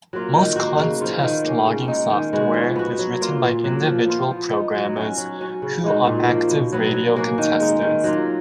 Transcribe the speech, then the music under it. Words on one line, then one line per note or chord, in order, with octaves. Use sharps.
Most contest logging software is written by individual programmers who are active radio contesters.
F#3 A#3 F4
D#3
A#3 D#4 F#4
C#3
F3 B3 F4
D#3
A#3 C#4
C#3
G#3 D#4
D#3
G#3 B3 F#4
F3
B3 F#4
F#3
A#3 F4
A#2
F#3 A#3
F3
B3 F4
F3
B3 D#4
F#3
C#4 F#4
F#3
C#4 F#4
C#3
G#3 D#4 F#4
A#2
F3 A#3
B2
F#3 B3
F#3
A#3 C#4 F#4
D#3
G#3 D#4
D#3
F#3 A#3 F4